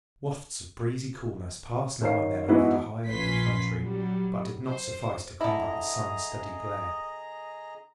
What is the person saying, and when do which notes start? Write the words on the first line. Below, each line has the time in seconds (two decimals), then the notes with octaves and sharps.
Wafts of breezy coolness passed now and then over the high open country, but did not suffice to combat the sun's steady glare.
2.01 D#3 D#4 C5 C#5 F5 C7
2.48 E3 G#3 B3 D#4 E4 F#4
3.08 A#1 F3 C#4 B4 C6 B6
3.81 F#3 G3
4.67 C5
5.41 D3 E4 G#4 D#5 A#5